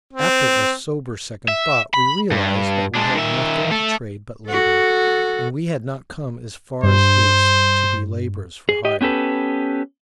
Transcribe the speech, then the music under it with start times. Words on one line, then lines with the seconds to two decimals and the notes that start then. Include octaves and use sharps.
After a sober second thought, we realized that we had nothing to trade but labor; and we had not come as far as this to be laborers for hire.
0.13 C4
1.48 E5
1.94 B5
2.31 G2
2.95 G#3 D4
3.15 D#3 E5
3.71 A3 A4
4.48 F#4 A4
6.83 G2 C5
8.69 G#4
8.85 G4 D#5
9.01 B3 C#4 G4 A4 B4